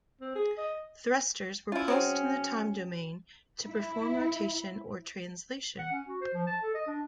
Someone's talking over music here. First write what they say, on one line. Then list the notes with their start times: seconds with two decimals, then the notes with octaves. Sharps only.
Thrusters were pulsed in the time domain to perform rotation or translation.
0.21 C4
0.36 G#4
0.58 D#5
1.72 C#4 E4 F4
1.88 F#3 C4 G#4
3.68 E4
5.78 F#5
5.92 C#4
6.08 F#4
6.21 C5
6.34 F3
6.47 A5
6.62 A4
6.74 D#5
6.87 D4